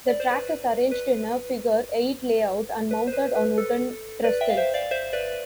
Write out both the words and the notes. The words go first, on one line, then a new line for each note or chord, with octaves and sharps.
The track is arranged in a figure-eight layout and mounted on wooden trestles.
D5
C5
B4 D5
B4
B4
C5
B4
B4
A4
B4 D5
E5 G5
F5
C5 E5
D5 F5
C5 E5
B4 D5